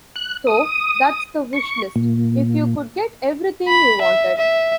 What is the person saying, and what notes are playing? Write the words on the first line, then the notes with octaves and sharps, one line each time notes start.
So, that's the wish list, if you could get everything you wanted.
F#6
D#6
C#6
A#2
B5
E5
E5